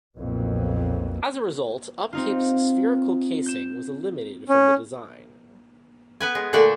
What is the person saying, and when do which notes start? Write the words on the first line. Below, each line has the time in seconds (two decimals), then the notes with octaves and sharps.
As a result, Upkeep's spherical casing was eliminated from the design.
0.17 B1 F2 A#2
2.13 C4 D#4 F4
3.46 G6 E7
4.49 C#4
6.20 B3 B4 G#5
6.35 G#3
6.53 A#2 D3 A3 D4 A4 D5